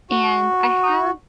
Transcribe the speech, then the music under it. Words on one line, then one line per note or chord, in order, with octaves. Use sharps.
and I have
F#4